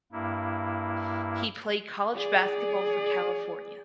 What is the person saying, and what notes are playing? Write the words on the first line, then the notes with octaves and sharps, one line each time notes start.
He played college basketball for California.
G2 A#3 E4
G#4 D5